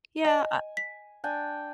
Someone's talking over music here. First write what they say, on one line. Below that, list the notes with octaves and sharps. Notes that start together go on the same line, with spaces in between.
Yeah I
D#5 G#5
B6
D4 G5 G#5